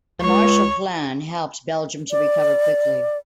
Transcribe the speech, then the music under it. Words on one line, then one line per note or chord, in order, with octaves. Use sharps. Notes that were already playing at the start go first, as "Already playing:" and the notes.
The Marshall Plan, helped Belgium to recover quickly.
C#2 C#5
D5